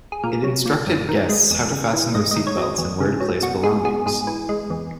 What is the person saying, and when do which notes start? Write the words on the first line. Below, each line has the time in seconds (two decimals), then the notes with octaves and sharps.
It instructed guests how to fasten their seat belts and where to place belongings.
0.12 G#4
0.24 A#2 A#4
0.44 F#3
0.66 A#2
0.87 F#2
1.09 D#3
1.29 G#3
1.51 E2
1.72 C#3
1.93 E3
2.14 G#2 D#5
2.31 D#3 D#5
2.47 C#5
2.58 F#3 D#5
2.78 E2
3.00 C#3
3.20 F#3
3.42 B2 F#4
3.63 G#3 G#4
3.85 B2 G#4
4.06 G#2 G#4
4.27 E3
4.49 G#3
4.70 E2